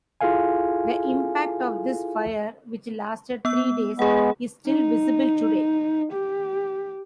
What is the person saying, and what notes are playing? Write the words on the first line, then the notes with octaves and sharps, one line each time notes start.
The impact of this fire, which lasted three days, is still visible today.
E4 F4 G#4 A4 F5 G#5
B3 E6
G#3 B3 G#4 F#5
D#4
G4